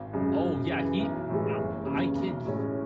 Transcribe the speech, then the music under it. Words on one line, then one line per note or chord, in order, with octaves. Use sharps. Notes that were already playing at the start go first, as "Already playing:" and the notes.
Oh yeah, he I I could d
Already playing: G#1
F#2 C#3 G#3
F#2
C#3 E3
B1
A2 E3 G#3
F#1
E2 C#3
B1
A2 G#3 C#4